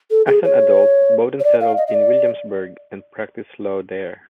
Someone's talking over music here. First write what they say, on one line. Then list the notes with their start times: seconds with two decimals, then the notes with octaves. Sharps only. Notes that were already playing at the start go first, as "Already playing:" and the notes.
As an adult, Bowden settled in Williamsburg and practiced law there.
0.11 A4
0.27 G#4
0.45 C#5
1.40 C#5
1.44 D5
1.61 F5
1.77 D#5
1.88 D#5
1.94 D5